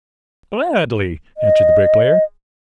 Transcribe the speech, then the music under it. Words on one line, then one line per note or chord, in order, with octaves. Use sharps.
"Gladly," answered the Bricklayer.
D#5